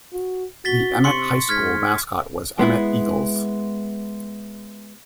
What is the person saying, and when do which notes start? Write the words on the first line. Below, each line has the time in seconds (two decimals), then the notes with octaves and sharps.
The Emmett High School mascot was Emmett Eagles.
0.13 F#4
0.65 F#4 A6 B6 G7
1.04 C3 C6 C#6 C#7
1.49 G#2 F6 G#6 B6
2.59 G#3 B3 E4